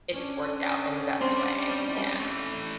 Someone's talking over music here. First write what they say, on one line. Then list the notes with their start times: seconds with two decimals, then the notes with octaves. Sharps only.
it just worked out in the best way, yeah.
0.13 C#4 D4
1.21 G3 C4 C5 D5
2.20 E3 A3